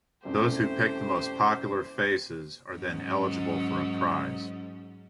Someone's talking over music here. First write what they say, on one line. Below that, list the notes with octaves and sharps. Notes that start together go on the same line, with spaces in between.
Those who picked the most popular faces are then eligible for a prize.
C2 F#2 A3 G4 C5
G#2 F#3 C#4